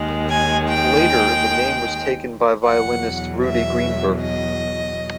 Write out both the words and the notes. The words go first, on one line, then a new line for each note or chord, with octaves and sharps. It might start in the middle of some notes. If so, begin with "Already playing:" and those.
Later, the name was taken by violinist Rudy Greenberg.
Already playing: D#2 D#3 G#3
G#5
G5
E2 B2 F#3 F#5
E5
D#5